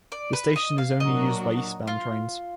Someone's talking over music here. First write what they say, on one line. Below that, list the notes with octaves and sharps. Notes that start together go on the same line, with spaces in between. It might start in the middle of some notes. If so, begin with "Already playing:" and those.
The station is used only by eastbound trains.
D5
B4
D#5
F5
A#2 F#3 D4 F#4 A#4 D#5
F4